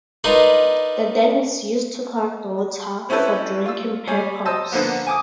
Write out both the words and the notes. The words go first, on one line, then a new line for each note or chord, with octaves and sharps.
The dam is used to collect water for drinking purpose.
D4 D#4 F4 A#4 B4
C4 C#4 E4 G4 A4 B4
F4 E6
G3 C#5 G#5
C5 D#5 A5 E6
D3 F3 A#3 B3
G#5 D6 D#6